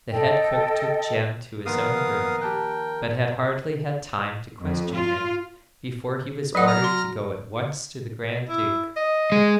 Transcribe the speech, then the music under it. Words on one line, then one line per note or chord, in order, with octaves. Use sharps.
The head cook took Jem to his own room, but had hardly had time to question him before he was ordered to go at once to the grand duke.
A4 D#5 G5
A#2 D#3 F3 B3 A#4 F5 D#6
G4 G5 A5 F#6
F2
F4
F#3 B4 D#5 F#5
A#5 F6
F#4 C6
E4
D#5
G#3